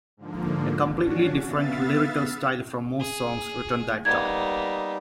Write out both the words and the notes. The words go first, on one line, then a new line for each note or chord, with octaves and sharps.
A completely different lyrical style from most songs written that time.
G#2 D3 F3 A#3
C#4 D4 F#4
B3 E5 F5 A6
G#4
G3 A#3 B3 D#4 G#6